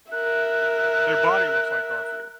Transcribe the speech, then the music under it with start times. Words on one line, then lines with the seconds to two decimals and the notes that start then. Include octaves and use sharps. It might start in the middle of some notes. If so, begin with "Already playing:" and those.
their body looks like Garfield.
0.12 A#4 E5 F#6